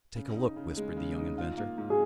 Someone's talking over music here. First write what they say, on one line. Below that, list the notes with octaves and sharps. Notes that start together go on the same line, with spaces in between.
"Take a look," whispered the young inventor.
C#3
D#4
C#3
G#3
C#3
D#4
F4
A#3
G#2
G#4